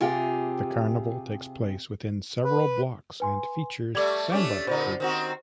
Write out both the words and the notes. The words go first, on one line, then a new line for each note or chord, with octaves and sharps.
The carnival takes place within several blocks and features samba groups.
C3 F4 G4 G#4
B4
B4 G#5 C6
G3 A3 D5 D6 G#6
A3 C#4 D4 D6
A#2 D3 D#4 C5
D#3 C4 F#4